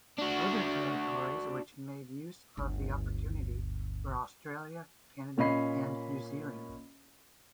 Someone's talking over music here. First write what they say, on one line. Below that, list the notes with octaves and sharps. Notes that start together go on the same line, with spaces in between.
Other territories which made use of the opportunity were Australia, Canada and New Zealand.
D4 F#4
G1 D2
A#2 C#4 D#5 B5 C7